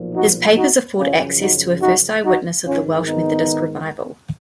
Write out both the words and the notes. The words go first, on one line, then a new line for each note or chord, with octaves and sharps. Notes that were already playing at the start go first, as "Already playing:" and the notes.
His papers afford access to a first eye witness of the Welsh Methodist revival.
Already playing: B1 A#2 F3
D#4 F#4
D#4 F#4
F#2 C#3 F3 C#4 F4
D#4 F#4
D#4 F#4
D#4 F#4
G#1 G#2 D#3 C#4 F4
B3 D#4